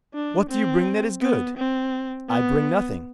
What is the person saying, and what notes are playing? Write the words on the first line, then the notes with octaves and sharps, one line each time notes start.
What do you bring that is good?' 'I bring nothing.
D4
C4
B3
C4
B3